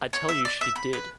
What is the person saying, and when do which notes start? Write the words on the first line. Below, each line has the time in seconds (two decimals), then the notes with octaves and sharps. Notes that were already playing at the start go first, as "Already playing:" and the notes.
I tell you she did.
0.13 C#5
0.29 E5
0.45 D5
0.61 E5
0.76 B5
0.93 B4